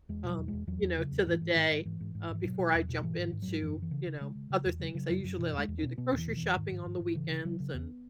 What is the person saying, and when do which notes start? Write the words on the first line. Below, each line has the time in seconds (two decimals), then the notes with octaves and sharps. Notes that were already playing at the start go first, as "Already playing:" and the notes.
um, you know, to the day, uh, before I jump into, you know, other things. I usually, like, do the grocery shopping on the weekends and,
0.09 E2 G#3
0.24 B2
0.29 F#3
0.38 E2
0.48 G#3
0.53 E2
0.67 E2 F#3
0.82 E2
0.98 C#3
1.11 E2
1.26 G#2 E3
1.41 G#2
1.56 G#2 D#3
1.71 G#2
1.85 G#2 E3
2.00 G#2
2.15 G#2
2.30 G#2 E3
2.44 B2 F#3
2.59 B2
2.74 E2
2.89 B2
3.03 G#2 E3
3.18 G#2 D#3
3.33 G#2
3.42 F#3
3.48 G#2
3.62 F#2 E3
3.77 C#3
3.82 E3
3.91 C#3
4.07 C#3
4.21 C#3 G#3
4.35 C#3
4.50 C#3
4.65 E2
4.80 C#3 F#3
4.95 C#3 F#3
5.09 F#2 F#3
5.24 F#2 F#3
5.39 B2 E3
5.53 E2
5.58 G#3
5.68 E2
5.78 B2 C#4
5.98 B2 B3
6.12 E2 E3
6.27 B2
6.37 E3
6.42 E2
6.56 G#2 D#3
6.71 G#2
6.86 G#2
7.00 G#2
7.15 C#3 E3
7.30 C#3
7.45 C#3 F#3
7.60 C#3
7.74 E2 B3